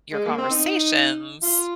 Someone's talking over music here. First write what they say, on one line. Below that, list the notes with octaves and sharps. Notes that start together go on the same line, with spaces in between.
your conversations
G#3
A#3
C4
D#4
F4